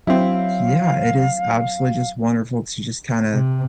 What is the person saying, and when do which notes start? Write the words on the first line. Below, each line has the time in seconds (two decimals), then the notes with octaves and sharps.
Yeah, it is absolutely just wonderful to just kinda,
0.07 F#3 C4 E4 F5
3.33 C3